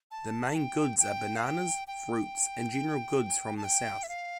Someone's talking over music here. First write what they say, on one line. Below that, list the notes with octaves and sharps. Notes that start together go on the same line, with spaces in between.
The main goods are bananas, fruits and general goods from the south.
A5
G5
G5
F5
G5
G5
A5
G5
E5
F5